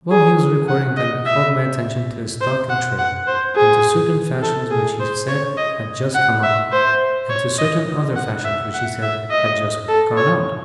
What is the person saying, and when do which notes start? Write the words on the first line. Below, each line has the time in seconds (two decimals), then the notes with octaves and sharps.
While he was recording them he called my attention to his stock in trade, and to certain fashions which he said had 'just come up', and to certain other fashions which he said had 'just gone out'.
0.11 G#4
0.69 F#5
0.97 D#5
1.26 E5
2.41 C5
2.70 F#5
2.99 F#5
3.28 C5
3.56 G#4
4.42 A4
4.71 G#4
5.00 C5
5.29 C#5
5.57 D#5
6.15 F#5
6.43 E5
6.72 C5
7.29 C#5
7.58 D#5
8.16 F#5
8.45 E5
8.74 F#5
9.02 E5
9.31 D#5
9.88 A4
10.17 C#5